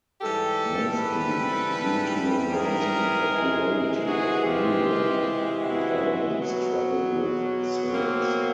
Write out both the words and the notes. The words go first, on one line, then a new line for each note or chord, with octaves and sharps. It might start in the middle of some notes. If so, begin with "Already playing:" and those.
Mostly due to the rising popularity of new wave, the album struggled with sales.
G#2 E3 G3 G4 A4
A4 B4
G#4 A#4
C3 E3 G#3
F#4 G#4
F4 G4
E4 F#4
B2 F#3
A#3 C4